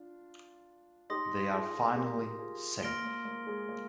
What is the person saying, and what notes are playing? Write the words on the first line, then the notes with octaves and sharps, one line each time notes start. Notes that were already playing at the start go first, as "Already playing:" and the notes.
They are finally "safe".
Already playing: D4 F4
D#4 G4 C6 D#6 A#6
F4 G#4
F4 G#4
G4 A#4
F4 G#4
A#3 C6 F6 A#6 D7 G7
A#3
A#3
G#3
A#3